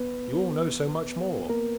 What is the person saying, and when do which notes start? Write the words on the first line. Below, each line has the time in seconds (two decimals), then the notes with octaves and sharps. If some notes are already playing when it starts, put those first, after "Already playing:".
You all know so much more.
Already playing: B3 B4
1.49 A#3 A#4